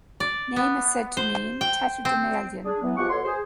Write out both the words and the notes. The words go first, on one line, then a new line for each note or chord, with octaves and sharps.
Name is said to mean Tatterdemalion.
D5
B3
C5
G5
C4
D4 G#4
E3 F#3 B3
F3 G#3 G4 F#5 C#6
B2 D3 C#5 C6
G#4 C5